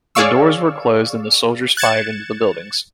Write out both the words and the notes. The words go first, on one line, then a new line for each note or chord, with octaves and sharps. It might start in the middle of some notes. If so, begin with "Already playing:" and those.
The doors were closed and the soldiers fired into the buildings.
G#4 C#5 D5 F5 C#6 E6
F#6 G#6 A6 C#7 E7